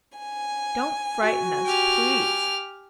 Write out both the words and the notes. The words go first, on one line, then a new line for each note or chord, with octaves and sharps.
Don't frighten us, please.
G#5
F#4
G4 F6